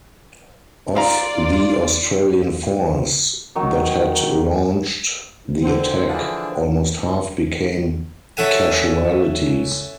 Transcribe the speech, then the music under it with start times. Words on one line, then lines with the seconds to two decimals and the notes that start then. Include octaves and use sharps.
Of the Australian force that had launched the attack, almost half became casualties.
0.95 G#3 F4 D5 F5 A#5
3.55 D#3 F#3
5.63 D3 C4 C5
6.08 D3 E3 F3 D4 G#4 A5
8.37 C#4 E4 A4 F#5 G#5